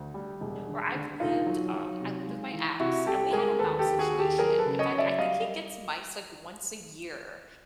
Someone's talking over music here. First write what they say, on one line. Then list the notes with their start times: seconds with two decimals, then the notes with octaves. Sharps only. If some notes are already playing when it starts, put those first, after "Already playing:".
where I've lived, um, I lived with my ex, and we had a mouse situation. In fact, I think he gets mice like once a year,
Already playing: D2
0.14 G3
0.41 E1
0.67 D3
0.94 D3
1.20 E1 D#4 F4
1.46 F#3
1.74 F#3
2.00 C3
2.27 G#3
2.53 E3
2.80 C3 E4 F#4
3.06 C2 G4 A4
3.33 G#3 G#4 A#4
3.59 D#2 A4 B4
3.79 G4 A4
3.86 D#2
3.99 F#4 G#4
4.13 D#2
4.19 G4 A4
4.38 F#3 G#4 A#4
4.59 A4 B4
4.66 C#3
4.79 C#5 D#5
4.92 F#3
4.98 D5 E5
5.18 G3 D#5 F5